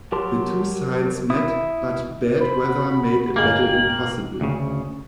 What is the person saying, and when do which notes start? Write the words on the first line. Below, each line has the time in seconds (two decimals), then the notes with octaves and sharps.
The two sides met but bad weather made a battle impossible.
0.12 F#3 G4 A#4 A5 C6
1.30 E4 D#6
2.40 C5 B5
2.65 F#4
3.36 G1 G#3 A#3 G5 G#6 F#7
4.41 D2 C#3